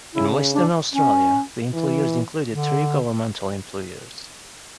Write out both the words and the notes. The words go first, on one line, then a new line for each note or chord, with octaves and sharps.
In Western Australia, the employers included three governmental employers.
C#3 E4
D4
C#4
E3
D3